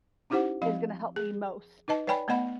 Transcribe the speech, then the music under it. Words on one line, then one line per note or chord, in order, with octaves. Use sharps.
is gonna help me most
C#4 D#4 E4 G4 C5 F#5
F3 C4 F5
G#4
D#4 B4 D#5 A5
B4 C#5 D5 G5 G#5 B5
A3 B3 D#5 F#5 B5